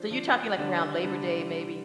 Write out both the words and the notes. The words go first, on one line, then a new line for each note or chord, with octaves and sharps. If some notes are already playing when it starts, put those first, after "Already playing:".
So you're talking. like, around Labor Day maybe?
Already playing: F3 D4 C5
F3 D4
D3 G3 D4
D3 G3 D4